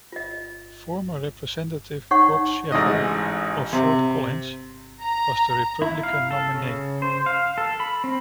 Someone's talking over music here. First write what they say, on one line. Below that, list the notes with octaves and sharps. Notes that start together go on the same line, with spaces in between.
Former Representative Bob Schaffer of Fort Collins was the Republican nominee.
F4 D#5
D#4 C#5 F#5 C#6
A1 G#2 D#5
C3
A#5
E4
F5
A4
C#3
C5
F5
A4
B5
C4